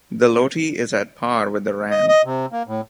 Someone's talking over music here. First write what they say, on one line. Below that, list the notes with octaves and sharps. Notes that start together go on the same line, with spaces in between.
The Loti is at par with the rand.
D#5
D#5
C3
A#3
A2